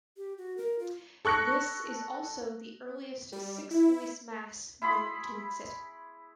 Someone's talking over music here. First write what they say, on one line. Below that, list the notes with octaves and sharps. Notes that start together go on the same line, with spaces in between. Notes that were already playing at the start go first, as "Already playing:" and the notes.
This is also the earliest six-voice mass known to exist.
G4
F#4
A#4
F4
A4 C#6 F#6 A#6 C#7
G3
E4
E4 G#4 B5 C6